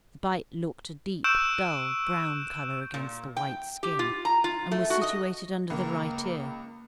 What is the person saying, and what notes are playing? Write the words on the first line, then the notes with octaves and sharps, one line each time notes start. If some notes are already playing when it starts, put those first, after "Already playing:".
The bite looked a deep, dull brown colour against the white skin, and was situated under the right ear.
C#6 E6 F#6 G6 D7 E7
A#2
G5
G4
F4
A#5
F4
A3
F#4
D#5
C#2 A#3